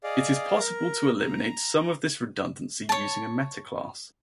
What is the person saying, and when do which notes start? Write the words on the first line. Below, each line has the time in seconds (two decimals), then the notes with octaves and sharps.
It is possible to eliminate some of this redundancy using a metaclass.
0.04 G#4 D5 D#5 F5
0.60 A#4
1.19 A#5
2.89 C#5 A5